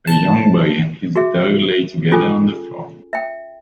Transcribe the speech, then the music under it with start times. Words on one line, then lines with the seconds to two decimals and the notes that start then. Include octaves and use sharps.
A young boy and his dog lay together on the floor.
0.07 A5
1.16 F#4 G#4 E5
2.12 C#4 F4 G#4 A4 G#5
3.13 E5 G5